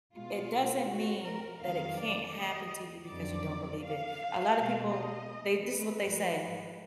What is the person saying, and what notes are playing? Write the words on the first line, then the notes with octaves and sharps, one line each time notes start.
it doesn't mean that it can't happen to you because you don't believe it. A lotta people, they this is what they say.
B2 G#3 F4
F#4
A#4
F2 D#3 F#3 F5
D5
D#5
F2 D3 F#3 D5
F5
B2 G#3
D#5
B4
G#2 F3 G#3